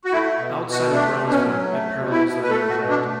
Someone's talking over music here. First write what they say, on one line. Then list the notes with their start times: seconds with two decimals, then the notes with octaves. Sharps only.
Outside of Brownsville, it parallels the Rio Grande.
0.05 F#4
0.12 A3 E4
0.39 B2
0.65 B2
0.71 F#4
0.92 A3 D4
1.18 B2
1.27 D4
1.31 C#4
1.44 F#3
1.71 A3
1.98 B2
2.11 E4
2.24 B2
2.43 B4
2.50 A3 A4
2.70 F#4
2.77 B2
2.89 D4
3.04 A3